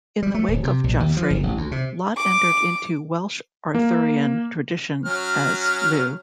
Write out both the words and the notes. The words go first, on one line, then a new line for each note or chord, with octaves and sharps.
In the wake of Geoffrey, Lot entered into Welsh Arthurian tradition as "Lleu".
G3
A3
D1
C3
A#1
D#2
F3
F#1
A1
D2
C3
D6
A#3
F#3 C#4 F6